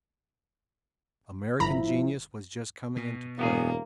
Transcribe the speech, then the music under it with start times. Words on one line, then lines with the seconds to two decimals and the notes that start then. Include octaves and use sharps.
American genius was just coming into play.
1.60 G1 F3 E4 A#5 B5
2.96 B2
3.39 E1 A#3 B3 G4 G#4